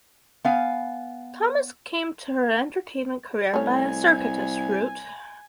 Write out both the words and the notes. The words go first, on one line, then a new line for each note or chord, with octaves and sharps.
Thomas came to her entertainment career by a circuitous route.
B3 F5 G#5
C2 A3 C#4 G#5